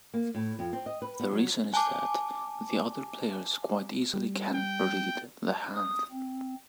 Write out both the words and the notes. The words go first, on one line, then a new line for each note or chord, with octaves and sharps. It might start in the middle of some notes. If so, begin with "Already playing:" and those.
The reason is that the other players quite easily can "read" the hand.
A#3
A2
F2
C4
D#5
B4
B3
F#3
G#5 A5 D6
G3
G5
D#6
C4